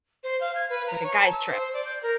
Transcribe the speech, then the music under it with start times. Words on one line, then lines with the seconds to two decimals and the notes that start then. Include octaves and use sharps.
It's like a guys' trip.
0.23 C5
0.41 F5
0.55 G#6
0.70 B4
0.87 A#5
1.04 C#5
1.19 A5
1.32 E6
1.51 C5
1.74 D5
1.85 G6
2.03 A#4